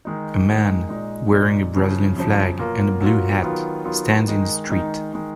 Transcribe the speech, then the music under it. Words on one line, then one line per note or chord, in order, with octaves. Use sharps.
A man wearing a Brazilian flag and a blue hat stands in the street.
D#3 G#3 D#4
D#3 G#3 D#4
A#2 G#3 D#4
A#2 G#3 D#4
F#2 C#3 F3
F#2 C#3 F3
B2 F#3 A#3 F4
B2 F#3 A#3 F4
D#3 F#3 B3 F4
D#3 F#3 B3 F4
D#3 G#3 D#4
D#3 G#3 D#4
D#3 G#3